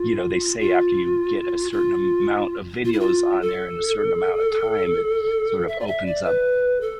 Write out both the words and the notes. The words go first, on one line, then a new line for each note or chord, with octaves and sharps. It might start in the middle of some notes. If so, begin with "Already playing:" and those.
you know, they say after you get a certain am amount of videos on there in a certain amount of time, it sort of opens up.
Already playing: F4
F4
F4
F4
E4
F4
A4
E5
D5
E5
D5
B4
A4